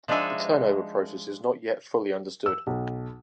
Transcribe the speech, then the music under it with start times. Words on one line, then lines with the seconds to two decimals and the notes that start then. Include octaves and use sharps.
The turnover process is not yet fully understood.
0.08 F3 G#3 D4 D#4 E5 G#5
2.46 E6
2.67 B1